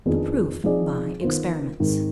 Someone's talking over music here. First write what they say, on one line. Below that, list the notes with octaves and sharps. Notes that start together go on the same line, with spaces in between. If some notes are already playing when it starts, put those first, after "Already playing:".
The PROOF by Experiments.
F2 D#3 B3 D4 G#4
F3 C4 D#4 G#4 D5
D#3 B3 F4 C5
G#2 D#3 G#3 C4